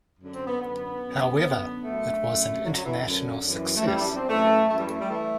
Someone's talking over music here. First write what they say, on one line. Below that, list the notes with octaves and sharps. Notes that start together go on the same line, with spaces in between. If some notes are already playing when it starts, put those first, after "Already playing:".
However it was an international success.
F#2 D3
C4
B3
F#2 D3 B3
F#2 D3
F#2 D3
F#2 D3 A3
F#2 D3
F#2 D3 F#3
F#3
E3
F#2 D3
F#2 E3
A3
F#2 E3 G3
E4
D4
C4
F#2 E3 A3
F#2 E3 A3
G3
A3
G3
E3 A3